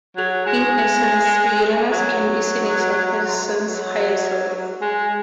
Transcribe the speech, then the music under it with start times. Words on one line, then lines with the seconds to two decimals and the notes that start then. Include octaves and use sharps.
In essence, Uranus can be seen as a person's higher self.
0.17 F#3
0.46 G#3
1.91 F#3
3.66 F#3
4.81 G#3